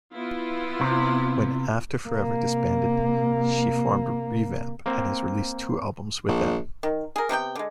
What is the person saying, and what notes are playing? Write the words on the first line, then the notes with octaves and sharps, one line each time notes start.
When After Forever disbanded, she formed ReVamp and has released two albums with them.
B3 E4 F4
C3 C4
C3 A#3
A#3 C4
A#1
D#3
G#4 A#4
C3 B3 D#4 G5
D3 G#3